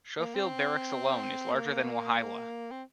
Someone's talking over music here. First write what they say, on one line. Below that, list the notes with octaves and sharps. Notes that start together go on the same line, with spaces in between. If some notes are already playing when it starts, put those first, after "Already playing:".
Schofield Barracks alone is larger than Wahiawa.
A#3
C4
A#3
C4